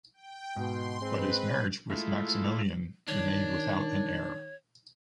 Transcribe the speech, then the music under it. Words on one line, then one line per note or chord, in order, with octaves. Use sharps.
But his marriage with Maximilien remained without an heir.
G5
G#2 B2 C6
G#3 C4 B4
G#3 A3 E4 F4
D#3 D4 C#5